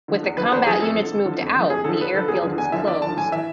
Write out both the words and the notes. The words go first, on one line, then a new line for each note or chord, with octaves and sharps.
With the combat units moved out, the airfield was closed.
D3 F3
E2
D3 F3 B4
E2 C5
D3 F3 G#4
F2 A4
D3 F3
F2
D3 F3
F2
D3 F3
F2 G#4
D3 F3 A4
E2 B4
D3 F3 A4
E2 G#4
D3 F3
E2 G#5
D3 F3 E5
E2 D5
D3 F3 A5
A2 G#5
E3 E5